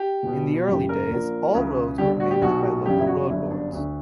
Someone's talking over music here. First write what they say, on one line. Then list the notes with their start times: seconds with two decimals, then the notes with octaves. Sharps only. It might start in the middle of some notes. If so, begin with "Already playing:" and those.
In the early days all roads were managed by local road boards.
Already playing: G4
0.23 E1 E2 B2
0.67 F#1 F#2 C#3 E3 G4
0.89 A#4
1.11 A#1 A#2
1.54 C#2 C#3 E3
1.98 G1 G2 D3 G4
2.20 F#4
2.31 G4
2.41 B1 B2 F#4
2.59 G4
2.63 F#4
2.85 G1 F#2 C#3 E3 G4
2.99 E4
3.07 F#4
3.29 G1 F#2 D3 E4
3.51 D4
3.72 D2 D3